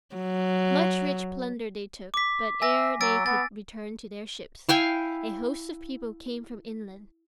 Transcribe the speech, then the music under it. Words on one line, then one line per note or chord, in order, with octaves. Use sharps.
Much rich plunder they took, but ere they could return to their ships, a host of people came from inland.
F#3
D6 B6
E5 G#5 A#6
F#3 E6 A6 D7
B3 A6
E4 F5 G5 G#5